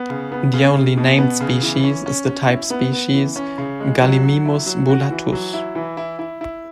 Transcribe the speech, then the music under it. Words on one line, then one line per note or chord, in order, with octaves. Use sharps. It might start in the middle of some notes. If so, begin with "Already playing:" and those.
The only named species is the type species "Gallimimus bullatus".
Already playing: B3
C#3
B3
C#3
C#3
B2
B3
C#3
E3
C#4
C#4
C#4
E4
B3
B3
E3
C#4
C#3
G#3
F#3
F#3
E4
F#3
F#4
E3
F#3
E4
E3
E4
E4
E4